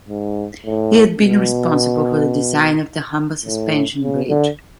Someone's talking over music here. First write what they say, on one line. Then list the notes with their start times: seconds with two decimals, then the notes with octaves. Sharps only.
He had been responsible for the design of the Humber Suspension Bridge.
0.08 G#2
0.65 A2
1.21 B2
3.45 A2
4.01 C#3
4.29 D3